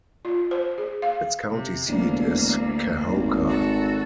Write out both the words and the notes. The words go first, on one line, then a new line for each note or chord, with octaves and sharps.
Its county seat is Kahoka.
F4
C5
G#4
F5
C3
E1 D2 A#3
G#1
F#4 A4